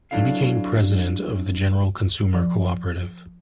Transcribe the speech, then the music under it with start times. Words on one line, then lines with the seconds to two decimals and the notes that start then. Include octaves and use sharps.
He became President of the General Consumer Cooperative.
0.11 F#3 C4 D4 E4 A4 F5
2.35 F3